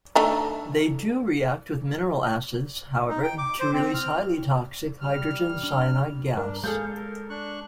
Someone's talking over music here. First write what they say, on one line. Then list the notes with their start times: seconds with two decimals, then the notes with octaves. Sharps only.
They do react with mineral acids, however, to release highly toxic hydrogen cyanide gas.
0.15 D3 A3 D#4
3.09 D#4
3.23 G5
3.38 D6
3.60 C5
3.73 C4
3.94 F6
5.01 G3 F6
5.63 D4
6.37 G2 D4 A#4
6.64 G#3 G#4 A4 F5 G6
6.96 A#4
7.30 D4 C#6 F#6